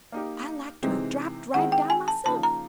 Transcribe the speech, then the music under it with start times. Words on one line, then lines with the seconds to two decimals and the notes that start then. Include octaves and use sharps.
I like to 'a' drapped right down myself!
0.12 A#3 D#4 G4
0.83 C3 E3 G#3 C4 D#4
1.54 D#3 G#3 C4 E4 G#4 F#5
1.72 G5
1.90 G#5
2.08 A5
2.25 C#3 F3 A#3 D#4 A5
2.43 A#5